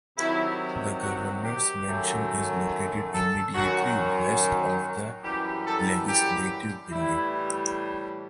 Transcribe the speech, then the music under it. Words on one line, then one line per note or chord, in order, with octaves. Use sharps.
The Governor's Mansion is located immediately west of the Legislative Building.
C3 D#3 F#3 E4
F#4
G4
F#2 D#3 F#3 A3
A4
F#2 D#3 F#3 F#4
F#4
F#2 E3 G3 G4
A4
G4
A2 E3 G3 E4